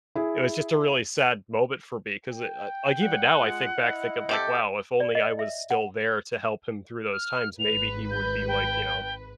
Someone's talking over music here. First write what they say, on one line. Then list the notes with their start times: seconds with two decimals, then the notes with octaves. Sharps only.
it was just a really sad moment for me 'cause i it like, even now, I think back thinking like, "Wow if only I was still there to help him through those times, maybe he would be," like, you know,
0.15 E4 G#4
2.30 G5
3.00 G3 F#5
3.40 G#3 F4
3.77 E4 D#5
4.29 C3 G4 A4
5.00 D5
5.15 D#5
5.39 E5
5.71 F#5
7.13 F6
7.59 G#1 B4 F7
8.11 G6
8.48 G5